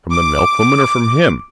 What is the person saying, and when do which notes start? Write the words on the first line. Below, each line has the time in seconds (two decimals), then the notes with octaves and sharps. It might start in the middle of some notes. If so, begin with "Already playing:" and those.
From the milkwoman or from him.
0.13 D6